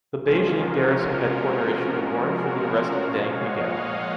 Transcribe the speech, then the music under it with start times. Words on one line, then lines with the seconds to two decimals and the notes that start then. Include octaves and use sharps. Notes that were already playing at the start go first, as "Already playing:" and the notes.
The Beijing Garrison headquarter issued a warrant for the arrest of Deng Hegao.
0.24 C3 F3 G#3 C#4 F4
0.59 F#4 A#4
2.34 F#4 A#4
3.03 A#2 F3 G#3 C#5 F5
3.38 D#5 F#5
3.74 C#5 F5